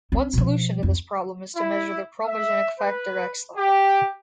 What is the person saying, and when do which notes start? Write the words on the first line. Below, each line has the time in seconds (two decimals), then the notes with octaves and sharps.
One solution to this problem is to measure the chromogenic factor X level.
0.12 C4 C#4
0.33 B2 F3
0.83 F2 E4
1.56 E4
2.25 E5
2.79 B4
3.56 G4